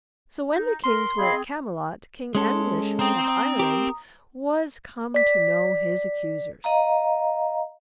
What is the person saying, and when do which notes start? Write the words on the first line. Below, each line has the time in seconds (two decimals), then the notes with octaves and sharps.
So when the kings were at Camelot King Anguish of Ireland was come to know his accusers.
0.51 D#4
0.84 A#4 C6
1.18 C4 G#4 D#5 F5 B5
2.35 G#3 C#4 A4 C6
2.99 C4 G5 A#5 D#6
3.59 G4 A#4
5.14 D5 B6
6.64 D#5 F5 A#5